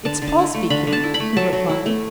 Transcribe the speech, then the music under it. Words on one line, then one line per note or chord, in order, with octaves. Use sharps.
"It's Paul speaking," he replied.
D3 A5
D3
A5
E4
A3
D3 B5
D3
A5
E4
B5
A3
F#3 A5
F#3
E4
A3